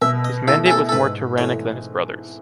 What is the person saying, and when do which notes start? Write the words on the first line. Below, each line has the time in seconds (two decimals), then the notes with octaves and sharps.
His mandate was more tyrannic than his brother’s.
0.01 B2 E5
0.24 D#5
0.47 A3 E4 A4
0.66 G#4
0.70 A4
0.89 A4
0.92 G#2 B4
1.38 E3 A3 C#5